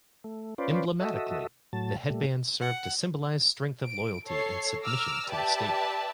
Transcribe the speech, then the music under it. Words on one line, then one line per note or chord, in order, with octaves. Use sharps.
Emblematically, the headbands served to symbolize strength of loyalty and submission to the state.
A3
C#4 F4 B4 C5 D5
F#4 A4 D#5 E5
A2 F#3 A5
A#2 G3 A3
F#5
D7
A4 C#5 C7
A#5 D6 E6 F6
G4 B4 D5 E5 A5